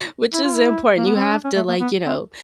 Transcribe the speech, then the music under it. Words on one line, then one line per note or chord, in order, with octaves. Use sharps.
Which is important, you have to, like, you know
E4
F4
E4
A#3
B3
C4
C#4
D4
C#4
A3
A#3
B3
C4